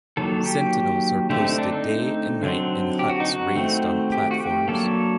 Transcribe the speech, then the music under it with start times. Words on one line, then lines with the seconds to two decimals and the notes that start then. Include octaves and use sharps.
Sentinels are posted day and night in huts raised on platforms.
0.17 D#3 F#3 A#3 A4
0.46 G4
1.30 D3 A3 C4 G4
1.44 D#4
1.58 D4
1.72 D#4
2.43 D3 F#3 C4
2.99 G4
3.10 F#4
3.20 D#4
3.32 F#4
3.56 D#3 A3 C4
4.12 G4
4.31 F#4
4.40 G4
4.68 D3 F#3 A#3 A4